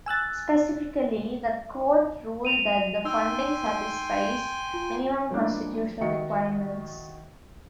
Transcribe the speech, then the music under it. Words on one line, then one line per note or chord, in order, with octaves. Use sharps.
Specifically, the court ruled that the funding satisfies minimum constitutional requirements.
G#5 E6 F#6 A6
D#7 F7
D#4 G5 G#5 C6 E6
F4
F3 G#3 A#3 C#4 D4 E4
D#3 F#4 D#5 E5 C#7